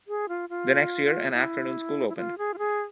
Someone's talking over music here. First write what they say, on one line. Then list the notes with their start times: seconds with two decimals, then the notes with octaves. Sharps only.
The next year, an afternoon school opened.
0.08 G#4
0.29 F4
0.49 F4
1.33 E4
2.09 E4
2.16 F4
2.38 G#4
2.54 F4
2.58 G#4